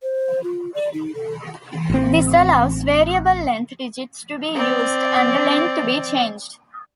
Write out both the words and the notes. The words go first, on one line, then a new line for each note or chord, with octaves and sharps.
This allows variable length digits to be used and the length to be changed.
C5
F4
D5
D#4
A4
A1 C4
C4 D5